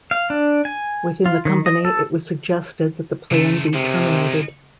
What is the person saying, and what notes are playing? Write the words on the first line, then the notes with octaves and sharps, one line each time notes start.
Within the company, it was suggested that the plan be terminated.
F5
D4
G#5
F4
D#3
D#5
A4
A#2 C#3 A3
C3 D#3 G#3